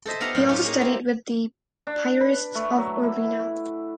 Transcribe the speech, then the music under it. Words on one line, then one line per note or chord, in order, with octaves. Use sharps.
He also studied with the Piarists of Urbino.
A4 C5 D#5 E5
B3 F4 G4 F5 F#5 A#5
F#2 A2 D5 G5 C6
C#4 D#4 F4 G4
A#3 G#4 C#5
C4 E4 G4
D4
B4
A3
F#3
E4